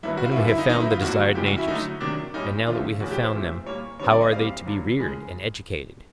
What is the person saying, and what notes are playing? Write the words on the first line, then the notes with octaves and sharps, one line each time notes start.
Then we have found the desired natures; and now that we have found them, how are they to be reared and educated?
G2 D#3 F#3 B3 E4
F#4
F4
E4
F#2 D3 G3 B3 F4
E4
D#4
D3 F#3 B3 D#4
E4
F4
F2 D3 F#3 A#3 F#4
F2 C#3 F3 G#3 G4
F#4
E4
D3 F#3 A3 D#4
C3 D#3 F#3 D4
A#2 G3 A#3 C#4 D#4
F#2 D3 F3 A3 C#4 F4
E2 B2 G#3 C#4 F#4
G4
C5
A#2 F3 A3 C4
A#2 G3 A#3 C#5
D3 G3 C4 C#5
D5
D#5
A#2 G3 C4 F5
G2 D3 F#3
C#3 F3 G#3